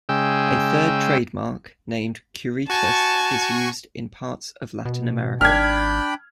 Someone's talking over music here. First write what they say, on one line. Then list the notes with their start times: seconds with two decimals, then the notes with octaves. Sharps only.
A third trademark, named "Curitas", is used in parts of Latin America.
0.09 C#3 G#3 G5 E6
2.70 F#4 G#5 A5 C#6
4.85 B2
5.41 G#1 D4 G5 B5 F6 G#6